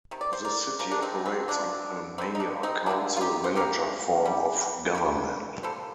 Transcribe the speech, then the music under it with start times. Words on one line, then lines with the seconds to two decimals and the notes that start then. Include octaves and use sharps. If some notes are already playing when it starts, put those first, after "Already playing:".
The City operates under a Mayor-Council-Manager form of government.
0.11 C3 D#3
0.21 D5
0.33 C5
0.45 A#4 D5
0.79 C3 F3 A#3 A#4
0.91 D4
1.02 C4 D#4
1.26 C4
1.48 C3 F3 A#3 D4
2.18 D3 G3 A#3 C4
2.35 D#4
2.40 D4
2.63 C4 D#4
2.86 D3 G3 A#3 D4 F4
3.17 F4
3.21 D#4 G4
3.44 C5
3.55 C3 G3 A#3 G4 A#4
4.25 C3 G3 A#3
4.95 D3 G3 A#3
5.63 D3 G3 A#3 A4 C5